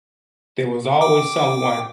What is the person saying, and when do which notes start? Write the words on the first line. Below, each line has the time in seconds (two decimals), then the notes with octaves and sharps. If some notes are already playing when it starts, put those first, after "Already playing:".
There was always someone
1.01 G5 D6